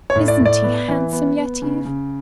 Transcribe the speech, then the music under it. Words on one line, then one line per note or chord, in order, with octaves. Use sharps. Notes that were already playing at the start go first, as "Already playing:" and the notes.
Isn't he handsome, Yetive?
C#5
A2
D5
A2
D5
B3
E3
B3
B3
C#3
C#3